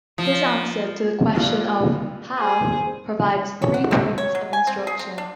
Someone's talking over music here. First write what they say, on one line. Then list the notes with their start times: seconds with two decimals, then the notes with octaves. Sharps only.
His answer to the question of "how" provides three points of instruction.
0.18 F3
1.35 G2 A#2 F3
2.38 G#4 C5
3.62 C#5
3.74 F#5
3.91 C4
4.18 C#5
4.35 F#3
4.53 G#5
4.67 C4
4.87 G#4
4.99 C4
5.18 D4